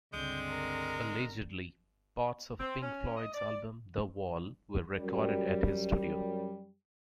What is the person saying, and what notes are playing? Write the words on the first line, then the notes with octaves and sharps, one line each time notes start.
Allegedly, parts of Pink Floyd's album "The Wall" were recorded at his studio.
C#2 G2 D3 G#3 C4 G6
A#4
C4
C#4
D#5
D5
F#2 G3